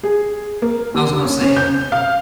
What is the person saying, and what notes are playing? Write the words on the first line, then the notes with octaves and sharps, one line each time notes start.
I was gonna say, uh
G#4
A#3
D#2
C#4
C#4
G6
F5